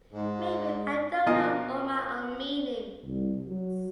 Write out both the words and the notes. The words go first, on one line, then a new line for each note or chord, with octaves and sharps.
Maybe I don't know all my own meanings.
G#2
B2 F3 F4 A#4 D#5 G#5
C2
F#3